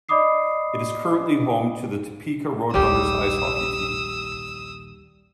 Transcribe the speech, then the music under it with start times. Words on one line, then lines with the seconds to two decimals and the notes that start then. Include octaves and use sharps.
It is currently home to the Topeka Roadrunners ice hockey team.
0.09 D5 D#5 B5 D6 D#6 C7
2.74 A#1 D#2 G3 G4 D#6 E6